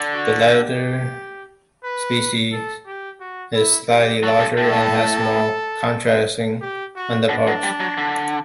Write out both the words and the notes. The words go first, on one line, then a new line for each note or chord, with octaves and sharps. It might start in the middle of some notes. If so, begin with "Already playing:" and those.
The latter species is slightly larger, and has more contrasting underparts.
Already playing: D3
F#4
G4
B4
A4
G4
F#4
E4
G4
F#3 A4
G2
A2 A4
G4
F#4
B2 D4
F#3
G3
F#3
D3